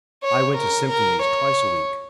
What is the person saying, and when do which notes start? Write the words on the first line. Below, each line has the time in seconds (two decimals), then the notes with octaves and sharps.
I went to symphonies twice a week.
0.24 C#5
0.57 A#4
0.90 A#4
1.22 C#5